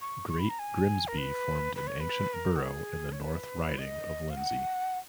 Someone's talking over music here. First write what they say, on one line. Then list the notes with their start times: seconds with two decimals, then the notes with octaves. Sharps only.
Great Grimsby formed an ancient Borough in the North Riding of Lindsey.
0.01 C#6
0.28 C#6
0.39 B5
0.50 A#5
0.59 G#5
1.08 A#4
1.18 B4
1.76 B4
1.87 C#5
2.00 B4
2.34 A#4
2.56 F#4
2.63 G#4
3.12 C#5
3.21 B4
3.78 D#5
4.30 F5
4.37 F#5